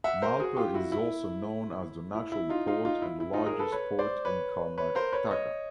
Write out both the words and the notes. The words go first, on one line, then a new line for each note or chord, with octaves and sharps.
Malpe is also known as the natural port and the largest port in karnataka.
E5 F#5
A#4 C5
F#4 G#4
F4 G4
E4 F#4
E4
E4
E4
D#4 F4
D#4 F4
D#4 F4
E4
E4
D#4 F4
G#4 A#4
A4 B4
B4 C#5
C5 D5
B4 C#5
B4 C#5
A#4 C5
B4 C#5
C#5 D#5